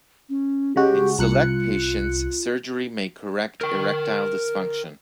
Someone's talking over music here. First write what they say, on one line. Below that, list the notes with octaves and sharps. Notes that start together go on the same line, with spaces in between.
In select patients surgery may correct erectile dysfunction.
C#4
C#3 G#3 F#4 G4
C2 F4 F#6 C#7
A#4 G5